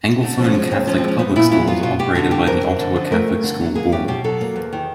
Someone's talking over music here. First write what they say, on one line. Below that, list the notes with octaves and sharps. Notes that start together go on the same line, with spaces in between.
Anglophone Catholic public schools are operated by the Ottawa Catholic School Board.
D3 D#4
D4
F3
C#4
G#3 C#4
D#2 C4
F3 C#4
C4
G#3 C#4
B3 D#4
A#2 E4
F#3 E4
B3 F4
B2 F4
B2 G4
D3 F#4
G3 G4
F2 A#4
F2
D3
F3
A3 A#4
G2
D3
F#3
A#3 G#4
F#2 G4
B2 G4
F#3 A4
A#3
E2
D#3